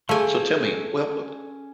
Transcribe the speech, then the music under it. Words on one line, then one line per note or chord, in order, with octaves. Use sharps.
So, tell me well, oh
A3 C#4 G#4 A4 F5 G#5 C6